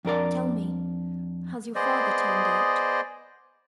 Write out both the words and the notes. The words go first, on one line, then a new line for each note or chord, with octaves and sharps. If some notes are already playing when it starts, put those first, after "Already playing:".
Tell me, has your father turned out?'
F2 D4 A#4 D5
B3 G#4 C5 D5 D#5